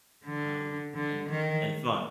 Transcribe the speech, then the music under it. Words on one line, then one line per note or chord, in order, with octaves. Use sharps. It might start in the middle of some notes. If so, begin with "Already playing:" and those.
um, and and fun.
D3
D3
D#3